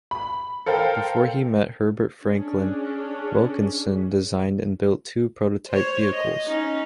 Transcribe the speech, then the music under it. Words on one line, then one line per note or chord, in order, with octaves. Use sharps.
Before he met Herbert Franklin, Wilkinson designed and built two prototype vehicles.
B5
A4 A#4 C5 F5 G5
C#4 D4 G#4
C5 C#5
D#5
C#4 D#4